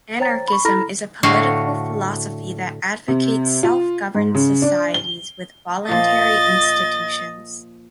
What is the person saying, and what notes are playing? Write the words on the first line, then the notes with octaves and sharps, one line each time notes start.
Anarchism is a political philosophy that advocates self-governed societies with voluntary institutions.
C5 C#5 G5 A#5 A6
B5 C#6
E4 A4 A#5 B5 F6 A#6
A2 D3 A3 F#4 F5
C3
F4
G#2
C#3
D4
G7
A#2 F3 D#5 A6